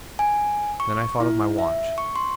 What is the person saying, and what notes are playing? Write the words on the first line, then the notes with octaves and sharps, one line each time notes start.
Then I thought of my watch.
G#5
C#6
E4
E5
C#6
C6